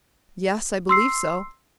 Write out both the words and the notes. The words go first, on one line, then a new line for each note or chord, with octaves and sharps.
"Yes; I believe so."
C6 E6 C7